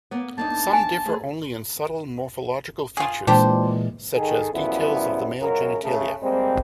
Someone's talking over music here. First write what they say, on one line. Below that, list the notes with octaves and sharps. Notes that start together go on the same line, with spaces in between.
Some differ only in subtle morphological features, such as details of the male genitalia.
A#3 B3
A#3 D4 D#4 A5
G#5
A3 G#4
F4 G#4
A#2 E3 G#3 D4 G4 C5
D#3 G#4 A4
F#2 C#3 F3 G3 B3 E4
C#2 F#2 C#3 F#3 A#4
C#3 A3
G3 G#3 A#3 C4